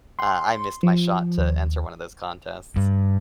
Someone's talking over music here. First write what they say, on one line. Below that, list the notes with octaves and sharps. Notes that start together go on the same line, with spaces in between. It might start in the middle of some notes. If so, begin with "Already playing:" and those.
uh, I missed my shot to enter one of those contests.
C6
F3
D#2
G2